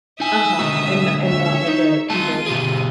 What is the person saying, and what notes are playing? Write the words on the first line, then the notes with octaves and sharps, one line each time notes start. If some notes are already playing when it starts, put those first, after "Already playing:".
Uh-huh, and and not like an evil
D#4 E5 G#5 D#6
D3 G#3 F#4
C#5 E5
D#4
G#3 F4 G#4 A5 D#7
B2 G4 G#4